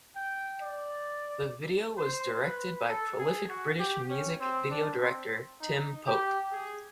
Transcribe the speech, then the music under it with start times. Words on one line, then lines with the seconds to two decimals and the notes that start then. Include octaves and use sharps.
The video was directed by prolific British music video director Tim Pope.
0.15 G5
0.61 D5
1.97 C5
2.43 B4
2.88 A4
3.19 G#4
3.49 F#4
3.79 G4
4.10 C#4
4.40 C4
4.70 D4
5.01 C4
5.61 D#4
6.07 G4
6.52 G#4